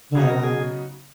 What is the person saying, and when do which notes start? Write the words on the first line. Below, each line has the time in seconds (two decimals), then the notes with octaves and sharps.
But, um
0.15 C#3 F#3 B3 D#4 G#4
0.29 A#4
0.44 G#4